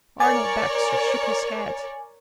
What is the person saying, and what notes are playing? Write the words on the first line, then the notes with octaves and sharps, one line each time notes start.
Arnold Baxter shook his head.
A#4 C#5 D5 G#5 D6 A6